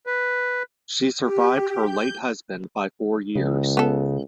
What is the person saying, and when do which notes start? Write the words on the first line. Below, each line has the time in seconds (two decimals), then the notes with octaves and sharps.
She survived her late husband by four years.
0.07 B4
1.20 G4
1.83 G6
3.36 C#2 C#3
3.77 B3 A4